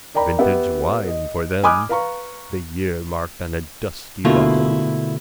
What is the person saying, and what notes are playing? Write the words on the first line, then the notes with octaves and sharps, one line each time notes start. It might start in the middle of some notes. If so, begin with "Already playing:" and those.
Vintage wine for them, the year marked on a dusty bottle.
A#4 D5 G5 A#5 B5
B3 G4 E5 F#5
D#5
G#5 B5 D6 D#6 F6 F#6
B4 F5 A#5 C#6
B2 D3 A3 A#3 E4 F4